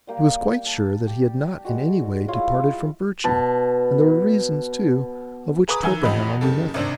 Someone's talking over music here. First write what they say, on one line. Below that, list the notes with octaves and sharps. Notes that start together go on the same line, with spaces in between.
He was quite sure that he had not in any way departed from virtue, and there were reasons, too, of which Torpenhow knew nothing.
G3 A#3 G4
A5
G4
G3 G#3 F#4
E4 F4 C#5
B2 A5
G#4 B4 A#5 D6 D#6
D#3 E3 A#4 G#5 E6
A1 F2 G4 D#5 B5
F#1 C#3 G4 A4
G#1 C3 D4